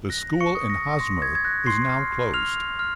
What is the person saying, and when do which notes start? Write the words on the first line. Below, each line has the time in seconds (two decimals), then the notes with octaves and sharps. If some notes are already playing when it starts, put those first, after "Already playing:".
The school in Hosmer is now closed.
0.10 F#6 A#6
0.40 C#6 C#7
0.55 D#6
0.70 A#6
1.00 C6 A#6
1.22 G#6
1.35 G#6
1.45 F#6 A#6
1.66 C6 C7
1.89 F6
2.34 F6 F7
2.79 F6